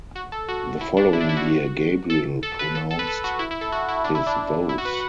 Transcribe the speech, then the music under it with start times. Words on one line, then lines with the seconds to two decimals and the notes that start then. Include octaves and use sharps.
The following year Gabriel pronounced his vows.
0.16 F#4
0.32 A4
0.49 F#4
0.81 E4
0.97 D4
1.13 E4
1.21 D4
1.29 E4
1.37 F#4
2.10 A4
2.43 A4
2.59 B4
2.75 A4
2.91 A4
2.99 B4
3.07 A4
3.24 F#4
3.39 E4
3.51 E4
3.61 A4
3.72 F#4
3.89 E4
4.04 D4
4.15 E4
4.27 D4
4.69 E4
4.78 F#4
4.85 B4
4.94 F#5